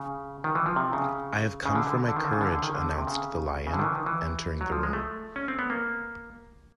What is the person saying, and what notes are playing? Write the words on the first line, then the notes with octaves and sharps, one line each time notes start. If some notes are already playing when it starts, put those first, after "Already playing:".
"I have come for my courage," announced the Lion, entering the room.
Already playing: C#3
D#3
E3
F3
C3
C#3
C#3
D3
D3
D3
D#3
D3
C#3
D3
D3
D#3
D3
C3
C#3
C#3
D3
D#3
E3
D#3
E3
F#3
F3
G#3
A3
C#4
C4
B3
A#3